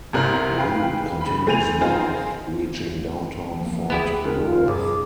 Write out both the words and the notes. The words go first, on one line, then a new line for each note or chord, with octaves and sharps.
The route continues north, reaching downtown Fort Worth.
G1 C2 C3 E4 A#4 F#6
G#4 B4 F5 G5
C#3 B5
C3 A3 C4 G#5 D#7 F7
C4 D#4 F4 G#4
F3 A#3
D2 B3 E4 G4 G#4
G#2 A#4
F4
B1 F#2 G#4 D6